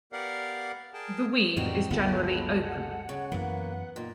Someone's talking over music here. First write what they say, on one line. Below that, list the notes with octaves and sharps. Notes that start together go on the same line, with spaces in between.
The weave is generally open.
B3 G4 A#4 D5 F5 F#5
G#4 A#4 G5 A5
F2 A2 E3 G3 C4 D#4 F#4 G4
G1 D2 C#3 G#3 B3 F4 A4
F#5
C#3
F#2 E3 A#3 B3
A#2 D#4